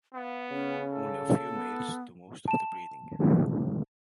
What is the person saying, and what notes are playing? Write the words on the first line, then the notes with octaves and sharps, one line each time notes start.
Only a few males do most of the breeding.
B3 F5
C#3 C#4
A4
B3
A5 E7